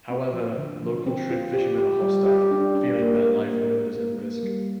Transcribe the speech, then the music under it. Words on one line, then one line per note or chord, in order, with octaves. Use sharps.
However, local shrimp fishermen are hostile, feeling their livelihood is at risk.
C4
F3
D3
F3
C4
F4
G4
G4
G3
G4
D4
D4
A#3
A#4
A#3
A#4
A#3
A#3
G3